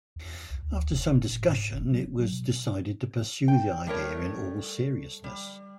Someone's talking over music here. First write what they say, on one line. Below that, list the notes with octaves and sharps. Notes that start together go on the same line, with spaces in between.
After some discussion it was decided to pursue the idea in all seriousness.
E2
C2
D2
F1
A#2
G#2
F1
F#3
B2
G5
G3 A3 A#4 C#5
G3